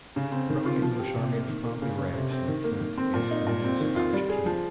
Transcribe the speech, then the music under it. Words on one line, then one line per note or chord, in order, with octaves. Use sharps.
A strong English army was promptly raised and sent against the new Scottish King.
C#3
C4
D#3
F4
F3
G4
C3
A#3
D#3
A#3
C#3
C#4
C3
C4
D#3
A#3
D#3
C4
A#2
D#4
A#2
C4
D#3
F4
G3
G#4
F3